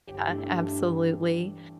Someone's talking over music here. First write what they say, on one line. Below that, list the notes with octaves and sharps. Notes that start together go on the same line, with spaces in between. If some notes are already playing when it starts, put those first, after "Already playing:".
Yeah, absolutely.
G1 G4
E4
A3 D4
E4
E4
G2 G4
E3